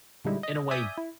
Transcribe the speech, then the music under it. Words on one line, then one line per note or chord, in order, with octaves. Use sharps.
in a way,
A#2 D3 G3 G#3 D#4 E4
D#5
D5 E5 G#5 D#6 G6
E4